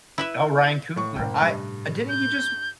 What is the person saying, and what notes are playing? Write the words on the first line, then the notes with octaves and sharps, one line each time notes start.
Oh, Ryan Coogler. I uh, didn't he just
E4 B4 E5
A2 C#6
F#1 A2 C3 G5
G2
G6